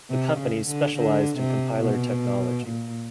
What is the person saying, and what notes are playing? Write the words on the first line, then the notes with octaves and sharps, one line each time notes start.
The company specialized in compiler technology.
C3
C#3
D3
D3
C3
B2
A#2